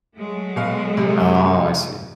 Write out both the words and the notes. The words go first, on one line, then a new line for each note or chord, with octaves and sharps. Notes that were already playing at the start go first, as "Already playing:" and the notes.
Oh, I see.
F#3 G#3 A3
B2 F5
C3